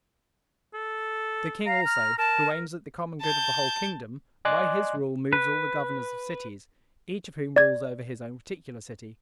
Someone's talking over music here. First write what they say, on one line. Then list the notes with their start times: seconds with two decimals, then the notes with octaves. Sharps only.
The king also, who aims at the common good of the whole kingdom, by his rule moves all the governors of cities, each of whom rules over his own particular city.
0.74 A4
1.66 F5 A#5
1.85 F6
2.18 A#4 A5
3.21 A5 G6
4.45 D5 D#5 G#5 C6 D6 F#6
5.33 B4
7.56 D5 G#6